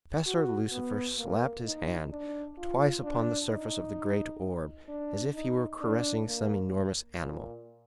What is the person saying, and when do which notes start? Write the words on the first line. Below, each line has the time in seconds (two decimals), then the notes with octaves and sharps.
Professor Lucifer slapped his hand twice upon the surface of the great orb as if he were caressing some enormous animal.
0.26 F#4
0.72 B3
1.18 A#3
1.64 D#4
2.10 D4
2.58 F4
3.04 D4
3.50 D#4
4.88 D4
5.34 D#4
5.81 D4
6.27 A#3
7.20 A#2